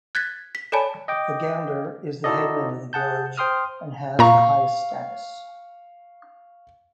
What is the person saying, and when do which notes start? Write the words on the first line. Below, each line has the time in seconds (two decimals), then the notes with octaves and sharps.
The "Gounder" is the headman of the village and has the highest status.
0.15 F#6 G#6 A6 B6
0.55 B6
0.72 A4 C#5 D5 G#5 A5 B5
1.08 D#5 G5 D6
2.24 D#4 E4 F#4 A4 D5 D#5
2.93 G#4 F#5 A5 G6
3.38 C5 G5 C6 D#6 F6
4.19 A#2 F5 A#5 C#6